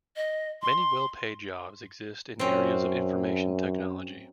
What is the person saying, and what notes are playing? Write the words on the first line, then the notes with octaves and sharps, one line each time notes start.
Many well-paid jobs exist in areas of Information technology.
D#5
C6
F#2 C4 C#4